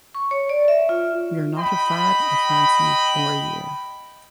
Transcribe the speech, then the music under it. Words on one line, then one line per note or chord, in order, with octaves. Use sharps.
We're not a fad, a fancy, or a year.
C#6
C#5
D5
E5
F4
D#5 G5 B5